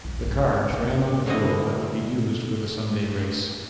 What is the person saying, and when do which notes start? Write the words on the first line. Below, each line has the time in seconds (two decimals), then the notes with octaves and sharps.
The cars ran on the fuel that would be used for the Sunday race.
0.04 A#1 E2
0.23 G2 G#3
0.69 G#1 E2
1.26 A2 D3 F3 E4 D#5